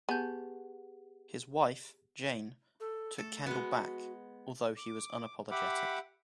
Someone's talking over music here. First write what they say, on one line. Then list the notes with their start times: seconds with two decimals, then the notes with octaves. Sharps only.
His wife, Jane, took Kendall back, although he was unapologetic.
0.09 B3 G4 G#4 G#5 A5 G6
2.80 A4
3.18 A3 A4
3.46 G#3 B3 F#4
4.77 D6
5.51 G4 E5 F#5 B5 D6